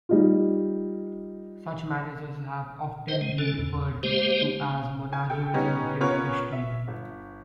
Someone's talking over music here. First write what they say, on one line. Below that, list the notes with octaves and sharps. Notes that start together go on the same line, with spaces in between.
Such managers have often been referred to as "momagers" in the film industry.
G3 D#4 F4
C5 D#5
G#3
D3 C#4 A4
E2
G#3 A#3 G4 C5
G#5
A4 G5
G3 B3 C#4 D#4 G4
B3 C#4 F4 A#4 B4 C#5
E5
G1